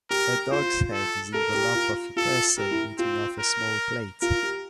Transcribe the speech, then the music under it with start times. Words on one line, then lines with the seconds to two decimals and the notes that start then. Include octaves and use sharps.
A dog 's head is in the lap of a person eating off a small plate.
0.10 G4 A#4
0.51 F4 C5
0.92 A4
1.34 A4 A#4
1.54 G4
1.75 F4
2.16 F4 A4
2.58 G4 A#4
2.71 E4
2.99 C4 F4
3.39 A#4
4.22 F4 A#4
4.43 G4